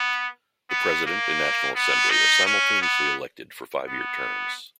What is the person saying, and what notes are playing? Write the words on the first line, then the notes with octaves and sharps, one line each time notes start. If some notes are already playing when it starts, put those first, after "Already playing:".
The President and National Assembly are simultaneously elected for five-year terms.
Already playing: B3
B3
A#3
B3
D#4
C#4
B3
B3